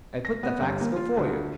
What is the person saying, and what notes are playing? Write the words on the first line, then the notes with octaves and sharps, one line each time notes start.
I put the facts before you.
A#6
B3
G1
A#3
F4
D2